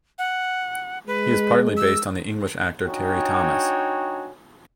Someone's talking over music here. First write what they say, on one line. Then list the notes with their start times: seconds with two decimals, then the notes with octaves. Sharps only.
He is partly based on the English actor Terry-Thomas.
0.18 F#5
1.07 G#3 B4
1.77 E6
2.85 D4 D#4 F#4 C#5 G5 G#5